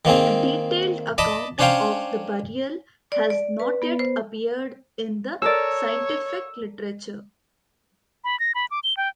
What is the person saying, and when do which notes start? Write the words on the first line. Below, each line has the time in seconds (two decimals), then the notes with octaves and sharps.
A detailed account of the burial has not yet appeared in the scientific literature.
0.05 D#3 A#3 C4 G#4
1.18 D5 D#5 A5 B5
1.59 C#4 D4 C5 C#5 F5 G5
3.12 D5
3.30 D5
3.60 B4
3.82 B3
3.99 C5
5.42 A4 A#4 C#5 D5 E6
8.24 B5
8.40 A#6
8.55 B5
8.71 D6
8.84 G7
8.97 G5